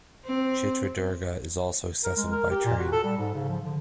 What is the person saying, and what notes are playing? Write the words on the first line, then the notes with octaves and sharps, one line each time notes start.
Chitradurga is also accessible by train.
C4
A#4
G#3
A#4
G4
A#2
F#4
A4
G3
G#2
C#3
F3
D3